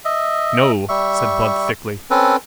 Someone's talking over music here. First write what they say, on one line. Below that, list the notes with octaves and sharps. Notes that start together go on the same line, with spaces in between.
"No," said Blood thickly.
D#5 E5
G3 E5 C#6
C4 C#4 A4 B4